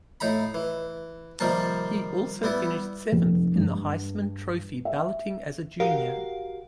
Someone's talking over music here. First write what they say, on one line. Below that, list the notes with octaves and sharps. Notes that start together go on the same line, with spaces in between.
He also finished seventh in the Heisman Trophy balloting as a junior.
A2 D#4 A#5 B5
E3
C3 D#3 F3 G3 A#3 A5
G3 B3 E4
F1
G2
E5
F#4 G4 A#4 F5